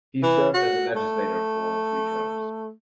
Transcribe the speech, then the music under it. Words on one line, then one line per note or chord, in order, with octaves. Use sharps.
He served as a legislator for three terms.
E3
F#4
A3